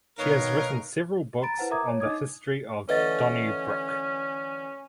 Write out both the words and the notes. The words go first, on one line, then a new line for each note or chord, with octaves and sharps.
She has written several books on the history of Donnybrook.
B2 D#3 D#4 A#4 B4 C#5 F5
A#5 B5 A6 D7
E4 B4 C5 F#5 A5
A#4 E5 A#5 D6 D#6 G#6
C#5 A5
D4 D#4 D#5 D6 D#6 G#6
D3 E3 A3 C#4 B4 D#5 A6